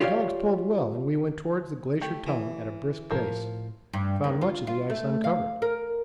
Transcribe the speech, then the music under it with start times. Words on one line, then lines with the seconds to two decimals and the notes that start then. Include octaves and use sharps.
The dogs pulled well, and we went towards the Glacier Tongue at a brisk pace; found much of the ice uncovered.
0.01 F4 G4 C#5 D5 F5
2.01 A3 G4
2.27 E3
3.11 A2 F3 A#4
3.93 G2
4.24 D#2
4.41 F4
4.67 F4
4.90 A3
5.24 F5
5.62 A#4